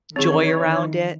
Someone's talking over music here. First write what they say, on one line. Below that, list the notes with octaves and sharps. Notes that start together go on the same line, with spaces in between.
joy around it
D#3 E3 C4 G#4 C#5